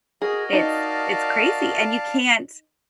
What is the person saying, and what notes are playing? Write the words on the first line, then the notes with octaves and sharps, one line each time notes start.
it's it's crazy, and you can't
F#4 G#4 A#4 D#5
D#4 D5 F5 A5